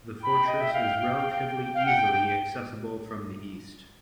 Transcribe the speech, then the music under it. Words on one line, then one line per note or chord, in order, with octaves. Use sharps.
The fortress is relatively easily accessible from the east.
G5 B5
D#5
E5
F5
F5 G5
F#5